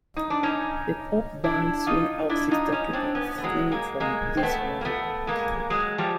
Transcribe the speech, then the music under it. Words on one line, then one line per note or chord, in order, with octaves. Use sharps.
The pop band Swing Out Sister took its name from this movie.
D#4
D4
C#4 D#4
D4 E4
D#4 F4
D4 E4
D#4 F4
C#4 D#4
C4 D4
B3 C#4
A3
F#3 G#3
G#3 A#3
G#3 A#3
C4
A3 B3
A#3
A3 B3
G#3 A#3
F#3 G#3
F3 G3